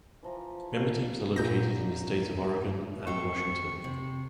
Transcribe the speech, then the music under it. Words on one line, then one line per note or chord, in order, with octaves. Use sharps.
Member teams are located in the states of Oregon and Washington.
E3 F3 A#5
C#5
A#2 E3 F#3 G6 A#6
C4 G4 A4 C#6
C3